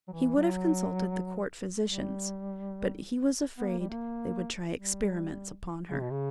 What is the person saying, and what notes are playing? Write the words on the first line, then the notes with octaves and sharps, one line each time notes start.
He would have consulted the court physicians; but he was afraid they would try experiments upon her.
F#3
E3
G3
F#3
G3
B3
A#3
G3
A#3
G3
C#3
B2
C#3